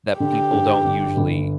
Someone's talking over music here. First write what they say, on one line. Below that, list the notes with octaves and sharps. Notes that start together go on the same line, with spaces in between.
that people don't usually
D3 G4
G2
G1
G1